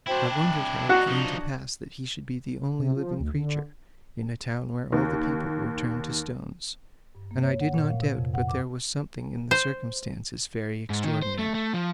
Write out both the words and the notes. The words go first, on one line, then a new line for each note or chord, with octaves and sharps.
I wondered how it came to pass that he should be the only living creature in a town where all the people were turned into stones, and I did not doubt but there was something in the circumstance very extraordinary.
D4 E4 F#4 C5 G5
G5
D4 D#4 F#4 F#5
F3 D4 D#4
C3
F3
D2
D3
D#2
G2
A#3
C#5
F#5
A#2
F5
C3
F2
F#5
D6
C5
G#2
D#3
C5
A3
A3
F3